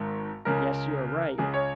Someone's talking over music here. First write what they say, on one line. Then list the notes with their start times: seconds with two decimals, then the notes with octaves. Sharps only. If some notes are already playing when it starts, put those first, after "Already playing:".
"Yes, you are right."
Already playing: G#1 G#2 D#3
0.45 C#2 C#3 A#4
1.38 C#2 C#3 G#4
1.54 C#5